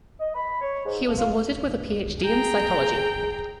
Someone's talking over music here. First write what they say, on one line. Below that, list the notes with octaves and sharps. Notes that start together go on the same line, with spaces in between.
He was awarded with PhD in Psychology.
D#5
B5
C#5
G#2
A3
F4
G#4 G5 A#5